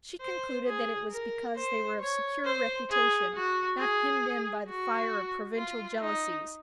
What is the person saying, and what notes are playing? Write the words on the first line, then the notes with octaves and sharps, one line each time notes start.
She concluded that it was because they were of secure reputation, not hemmed in by the fire of provincial jealousies.
C5
G#4
A#4
C5
C#5
C5
G#4
F#4
G#4
F#4
F4
D#4